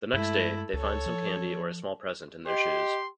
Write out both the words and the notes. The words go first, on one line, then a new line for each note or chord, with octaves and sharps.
The next day they find some candy or a small present in their shoes.
G2 G#3 A3 E4
C#2 A4 C#5
F3
G4 D#5 C6